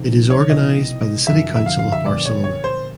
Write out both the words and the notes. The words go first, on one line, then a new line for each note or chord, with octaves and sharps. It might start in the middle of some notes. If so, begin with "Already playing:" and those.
It is organized by the City Council of Barcelona.
Already playing: C3 F3 A3 C4 D#4
C#5
B2 G3 B3 E4 D#5
F#2 D3 F3 E5
E5
F5
F5
E5
A#2 G3 B3 D5
C#5
C#5
C5